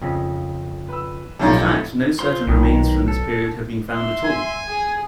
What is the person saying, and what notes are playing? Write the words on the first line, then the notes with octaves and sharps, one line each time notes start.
In fact no certain remains from this period have been found at all.
F2 C#3
B4 E6
B1 F2 A2 G3 C#4 D#4 F5 A6
F4 C5 C6
B1 D#3
A4
E5 C6
G#5
G#4